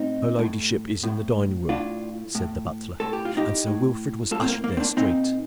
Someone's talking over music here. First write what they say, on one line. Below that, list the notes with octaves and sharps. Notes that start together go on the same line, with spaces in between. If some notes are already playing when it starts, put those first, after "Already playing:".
"Her ladyship is in the dining-room," said the butler, and Sir Wilfrid was ushered there straight.
Already playing: A2 C4 D#4
A2
A2
A2 D4 F4
A2
A2 A4
G4
F4
D#4 G4
A2
A2 F4 A4
C4
A#3
A#3
C4
A#3 D4
A#2 C4 D#4